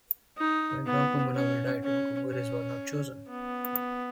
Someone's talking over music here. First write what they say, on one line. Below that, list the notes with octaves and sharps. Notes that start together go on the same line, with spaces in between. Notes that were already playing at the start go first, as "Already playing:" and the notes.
When Tuanku Munawir died, Tuanku Muhriz was not chosen.
D#4
B3
C#4
C#4
C#4
B3